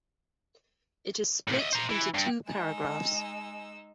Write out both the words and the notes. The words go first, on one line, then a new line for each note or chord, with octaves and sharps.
It is split into two paragraphs.
A2 C3
D#5 E5
C5 A#5
E3
G2
G#3 D#4 G#5 E6